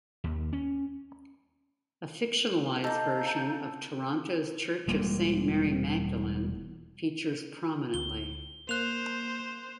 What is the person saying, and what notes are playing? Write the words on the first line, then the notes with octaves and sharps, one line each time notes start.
A fictionalised version of Toronto's Church of Saint Mary Magdalene features prominently.
D#2
C#4
D#4 A4 F5 A#5 D6 G6
E1 G3 G#3 A#3
D2 G7
A#3 C5 F#6 F7